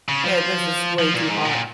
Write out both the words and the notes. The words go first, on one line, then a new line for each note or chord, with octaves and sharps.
eh, this is way too hot."
C#3
F3
F3
A#2
G#2
A#2